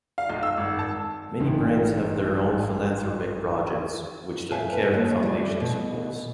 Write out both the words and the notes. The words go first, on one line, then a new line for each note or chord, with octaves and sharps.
Many brands have their own philanthropic projects, which the Kering Foundation supports.
F5
B1
E6
G#1
A5
A1 G#2
B4 E5 F5 G#5 A5
B4
D#2
G3 A3
B2